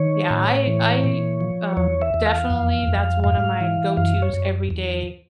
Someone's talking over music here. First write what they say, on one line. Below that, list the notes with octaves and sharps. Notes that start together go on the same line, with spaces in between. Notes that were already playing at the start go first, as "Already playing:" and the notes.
yeah, I I, um definitely that's one of my go-to's every day
Already playing: D#3 C#5
A2
E3
A#2
F3
E2 C#5
E5
E2
F5
F2
F2
G#2 F5
E3
F#2 F5
C#5
F#2
E2